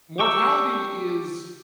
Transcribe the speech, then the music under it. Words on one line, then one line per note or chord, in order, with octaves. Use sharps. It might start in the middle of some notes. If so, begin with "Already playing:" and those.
mortality is
G4 C#6 E6